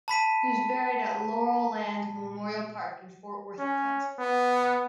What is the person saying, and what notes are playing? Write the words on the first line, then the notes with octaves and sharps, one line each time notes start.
He was buried at Laurel Land Memorial Park in Fort Worth, Texas.
A5 B5 B6 D#7
C#4
B3